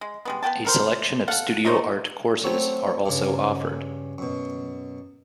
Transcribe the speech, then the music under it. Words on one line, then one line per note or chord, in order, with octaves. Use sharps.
A selection of Studio Art courses are also offered.
G#3
G3 G#3 B3
B3 G#4 G5 A5
A4 A#4 C5
A4 F5 F#5
A3 D#4 C5 C#5
F#3 A3 C4
G2 C#3
F#2 B2